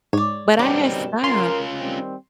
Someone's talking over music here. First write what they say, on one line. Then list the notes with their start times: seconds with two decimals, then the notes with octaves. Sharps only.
But I had stop.
0.13 G#2 C#5 D5
0.59 F#2 B2 F#3 G3 C4 D#4 G4
1.24 C#4 F4 A#4 C6
1.80 D#3 G3 C4